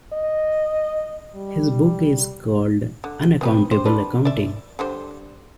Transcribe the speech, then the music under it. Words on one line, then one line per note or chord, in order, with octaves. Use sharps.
His book is called "Unaccountable Accounting".
D#5
G3
D3
C4 G#4 B4
G3 C5
G3 D4 B4
D5 E5
D3 G3 C5